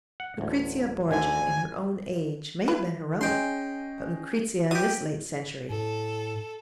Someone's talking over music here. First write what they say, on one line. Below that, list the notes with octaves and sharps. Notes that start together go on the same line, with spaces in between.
Lucrezia Borgia in her own age may have been heroic: but Lucrezia in this late century!
F#5
A1 D2
D2 D3 G#5
B4
C#4 G#4 D#5 G5 C6
F#3 G4 D#6
A2 A4